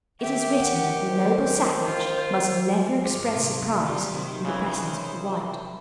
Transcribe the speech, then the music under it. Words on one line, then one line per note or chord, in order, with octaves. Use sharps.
It is written that the noble savage must never express surprise in the presence of the white.
D#3 G4 E5
F#5
C5
F4
G#2 D#3 F4 G#4 D6
C3 F#3 C6
G3 F4
C3 D#3 G4 C5
C#3 E3
C#5 E5 B5